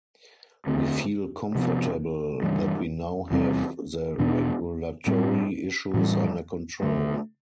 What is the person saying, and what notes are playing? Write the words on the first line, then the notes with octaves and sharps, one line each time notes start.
We feel comfortable that we now have the regulatory issues under control.
D2 D3 A3 C4
C3 F3 B3
G2 E3 G3
E2 C3 G3 C4
E2 B2 B3 D4
A2 G3 C4
A2 E3 G3
D2 D3 A3